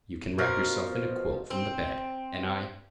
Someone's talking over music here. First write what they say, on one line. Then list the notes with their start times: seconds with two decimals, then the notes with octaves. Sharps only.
You can wrap yourself in a quilt from the bed, and I ...
0.38 B2 F3 A#4
1.50 C4